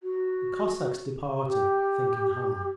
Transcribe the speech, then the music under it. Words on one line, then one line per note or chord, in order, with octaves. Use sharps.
The Cossacks departed, thinking hard.
F#4
G4